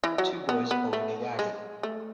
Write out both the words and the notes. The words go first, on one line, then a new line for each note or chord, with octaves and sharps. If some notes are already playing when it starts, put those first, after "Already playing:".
Two boys pulling a wagon.
E3
F#3
B3
B3
A3
G#3
A3